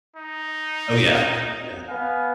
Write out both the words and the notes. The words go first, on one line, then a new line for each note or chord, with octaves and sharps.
Oh, yeah, oh, yeah.
D#4
B3 F5 G#5